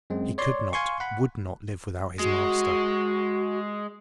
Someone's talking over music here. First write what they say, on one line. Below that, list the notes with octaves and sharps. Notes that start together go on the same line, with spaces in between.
He could not, would not live without his master.
F#2 G#3 C4
C#5 D5 C6
F5 G#5 C6 C#6
F#5 B5
G#3 F#4